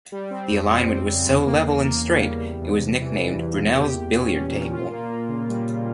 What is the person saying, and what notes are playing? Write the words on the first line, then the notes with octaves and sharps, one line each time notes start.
The alignment was so level and straight it was nicknamed 'Brunel's Billiard Table'.
G3
C4
F2
G3
C4
C#3
E2
A#3
A#3
A#3
A#3
G3
E2
E2
C3
E3
E3
E2
A#2
G4
G4
C#4
C#4
A#2
F4
A#3
A#3
C#3
G3
C#3